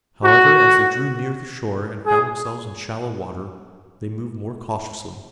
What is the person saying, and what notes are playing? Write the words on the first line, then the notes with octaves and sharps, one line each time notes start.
However, as they drew near the shore and found themselves in shallow water they moved more cautiously.
F#4
G#4